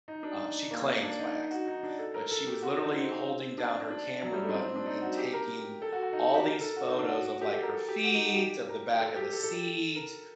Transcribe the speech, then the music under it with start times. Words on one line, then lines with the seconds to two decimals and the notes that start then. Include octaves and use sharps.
Um, she claims "by accident," but she was literally holding down her camera button, and taking all these photos of, like, her feet, of the back of the seat,
0.08 D#4
0.23 D4
0.71 A#3
1.03 D4
1.19 D#4
1.35 D#4
1.51 F#4
1.67 D#4
1.83 D4
1.99 A4
2.14 A#4
2.31 A4
2.47 G4
2.62 F#4
2.78 D#4
2.94 C4
3.58 D4
3.91 D4
4.23 F#3
4.33 G3
4.43 A3
4.49 D4
4.54 C4
4.64 C4
4.76 D4
4.86 D#4
5.02 F#4
5.17 G4
5.33 A#4
5.82 A4
5.92 F#4
6.02 F#4
6.13 D#4
6.24 F#4
6.34 G4
6.45 A#4
6.61 A4
6.77 F#4
6.87 D#4
6.98 D4
7.08 F#4
7.41 G4
7.52 A4
7.62 A#4
7.73 A4
7.88 G4
8.04 F#4
8.15 D#4
8.26 F#4
8.36 G4
8.69 A#4
9.00 A4
9.16 G4
9.32 A4
9.43 A4
9.53 A4
9.95 A#4